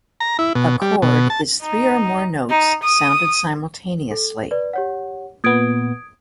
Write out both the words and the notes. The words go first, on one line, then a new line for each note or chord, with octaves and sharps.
A chord is three or more notes sounded simultaneously.
A#5
E4
B2
G3
B2
A5
D#4
D#4
D#6
A4
B4 D5
G4 C#5 F#5
A#2 B3 D#6 G#6 D7